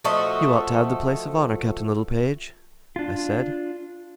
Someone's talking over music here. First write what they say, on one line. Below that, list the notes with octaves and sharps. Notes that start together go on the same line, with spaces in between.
"You ought to have the place of honor, Captain Littlepage," I said.
F3 A3 F#4 D#5
D4 F4